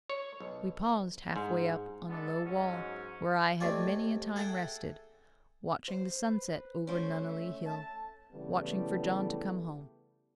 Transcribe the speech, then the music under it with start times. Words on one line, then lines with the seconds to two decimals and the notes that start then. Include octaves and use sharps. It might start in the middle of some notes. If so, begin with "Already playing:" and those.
We paused half-way up on a low wall, where I had many a time rested, watching the sunset over Nunneley Hill--watching for John to come home.
0.10 C#5
0.40 B1
1.36 G#2
2.09 G#3 B3 D4 A4
2.45 G#2 F#3 C#4
3.60 D#2 A3 C4 D5 G#5
4.36 G#4 A4 E5 F#5 G5
5.88 C5
6.28 B4
6.87 A3 C#4 C5
7.29 E5
7.66 A5
8.32 C#3 E3 G3 A3 B3